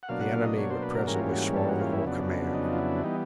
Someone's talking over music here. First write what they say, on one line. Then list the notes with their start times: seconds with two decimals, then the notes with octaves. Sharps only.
The enemy would presently swallow the whole command.
0.03 F#5
0.08 B2 F#3 A#3 D4 F5
0.20 F#5
0.33 F5
0.45 D#5
0.58 C#5
0.71 C5
0.82 B4
0.95 A#4
1.07 G#2 E3 G3 A#3 C#4 A#4
1.14 F#4
1.19 F4
1.31 F#4
1.56 A4
1.69 F#4
1.80 F4
1.93 E4
2.05 F2 C#3 F#3 B3 D4
2.54 D#4
2.73 F4
2.78 E4
3.03 E3 G3 B3 D#4